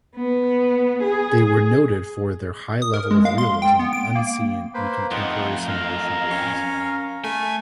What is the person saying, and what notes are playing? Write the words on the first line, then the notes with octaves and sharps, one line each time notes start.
They were noted for their high level of realism unseen in contemporary simulation games.
B3
G#4
D#6
A#4
G#3
F5
C6
G5
B3
D7
A#3
A#3 B4 C5
F2 A3 D#4 F4 F#5
A#4 F5 A#5
C#4
A3 G#5